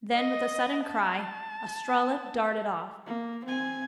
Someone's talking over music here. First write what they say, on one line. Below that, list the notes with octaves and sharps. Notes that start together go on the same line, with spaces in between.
Then with a sudden cry Estralla darted off.
D#5
A5
A#3
C4 G#5